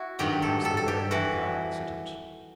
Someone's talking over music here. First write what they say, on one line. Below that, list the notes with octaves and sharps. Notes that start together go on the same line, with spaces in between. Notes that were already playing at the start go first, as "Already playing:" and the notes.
They passed the barrier without accident.
Already playing: E4 F#4
G2 D#3 F#3 G4
A4
A4
A4
G4
E3 F#4